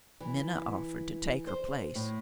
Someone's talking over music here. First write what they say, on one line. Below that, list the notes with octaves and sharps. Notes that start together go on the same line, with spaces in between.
Minna offered to take her place.
E3
C5
A2